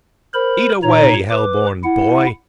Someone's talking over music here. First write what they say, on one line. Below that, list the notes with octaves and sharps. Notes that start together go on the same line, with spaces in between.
Eat away, hell-born boy!
A#4 C5 B5
A#2 D#4 C#5 A#5
B4 D6
E4 F#5